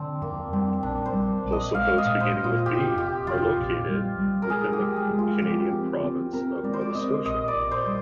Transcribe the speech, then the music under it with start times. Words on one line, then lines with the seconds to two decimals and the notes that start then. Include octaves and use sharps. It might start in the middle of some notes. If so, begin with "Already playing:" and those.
Postal codes beginning with B are located within the Canadian province of Nova Scotia.
Already playing: D3 C4 D4
0.22 F2 A#3
0.53 G3 C4
0.83 A#1 D4
1.05 C5
1.13 G3
1.44 A#1
1.52 D#5
1.75 G#3 F5
1.98 D#5
2.05 A#2
2.20 C5
2.36 A#2
2.44 F4
2.66 F1 G4
2.97 F1 G4
3.27 F2 F4
3.58 A#1
3.89 G3
4.19 G3
4.42 A#4
4.50 G#3 G#4
4.73 G4
4.80 G#3
4.96 G#4
5.11 G#3
5.19 F4
5.42 F3 G4
5.73 C4
6.04 C4
6.33 C4 A#4
6.64 G#3 D5
6.73 C5
6.81 D5
6.95 C4 D#5
7.25 A#1 D#5
7.48 D5
7.56 A#1
7.71 C5
7.86 G3